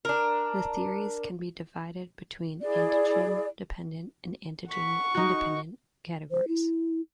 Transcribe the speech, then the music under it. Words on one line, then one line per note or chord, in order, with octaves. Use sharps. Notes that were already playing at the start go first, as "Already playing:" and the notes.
The theories can be divided between antigen-dependent and antigen-independent categories.
D4 A#4
E4 G#4 D5
F#5 C#6 B6
D#4 F#4
C5
E4